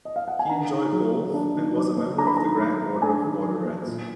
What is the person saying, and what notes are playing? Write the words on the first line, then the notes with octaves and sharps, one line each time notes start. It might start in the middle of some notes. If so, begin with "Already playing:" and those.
He enjoyed golf, and was a member of the Grand Order of Water Rats.
D#5
F5
F#5
G#5
D4 A#5
D#3
F#3
A#3
D4
D#3
F#3
A#3
D4 A#5
B5
D#3 A#5
F#3
A#3
D4 G#5
D#3
F#3
A#3
A#2